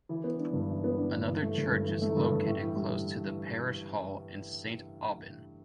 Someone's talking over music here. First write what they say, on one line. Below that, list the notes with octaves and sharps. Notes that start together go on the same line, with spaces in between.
Another church is located close to the Parish Hall in Saint Aubin.
E3
B3
D4
G2
E3
B3
D4
G2
E3
A3
G2
G2
E3
A3
G2
G2
A2
E3
G3